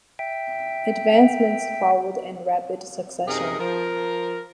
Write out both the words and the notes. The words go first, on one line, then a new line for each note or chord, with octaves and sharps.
Advancements followed in rapid succession.
E5 G5
F#2 C3 D#4 G#4 A#4
F3 A#4